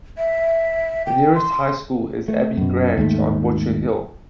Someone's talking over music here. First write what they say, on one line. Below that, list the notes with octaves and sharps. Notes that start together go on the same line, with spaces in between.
The nearest high school is Abbey Grange on Butcher Hill.
E5
G5
C6
A3
F#2 B2
D#2 G#2 A3